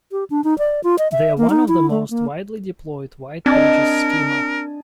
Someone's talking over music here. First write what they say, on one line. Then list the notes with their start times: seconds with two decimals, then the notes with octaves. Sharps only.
They are one of the most widely deployed white pages schema.
0.12 G4
0.30 D4
0.44 D#4
0.58 D5
0.84 F4
0.98 D#5
1.12 E5
1.38 A#3
1.50 D#4
1.68 E4
1.90 A3
2.10 A#3
3.46 C4 D4 A#4 D#5 G#5 A5